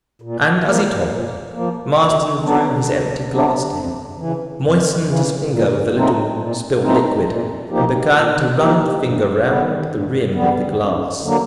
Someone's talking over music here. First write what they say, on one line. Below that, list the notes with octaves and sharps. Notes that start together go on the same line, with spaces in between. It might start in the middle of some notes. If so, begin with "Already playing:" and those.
And as he talked, Marsden drew his empty glass to him, moistened his finger with a little spilt liquid, and began to run the finger round the rim of the glass.
A#2
F3 A#3
A#2
F3 A#3
D2
D3 F#3 B3 D4
D2
D3 F#3 B3 D4
F2
C#3 E3
F2
C#3 E3
A#2
F#3 A3 C4 D#4
A#2
F#3 A3 C4 D#4
A#2
F3 A#3 D#4 G4
A#2
F3 A#3 D#4 G4
G2
D3 G3 B3
G2
D3 G3 B3
F#2
D3 F#3 A#3